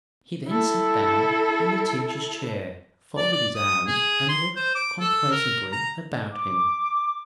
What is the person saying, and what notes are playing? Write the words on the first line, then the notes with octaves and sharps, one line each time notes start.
He then sat down in the teacher's chair, folded his arms, and looked complacently about him.
E4 A4
D5
D5
D#6
G#4
C6
C5
D6
A4
A#4
A#5
D6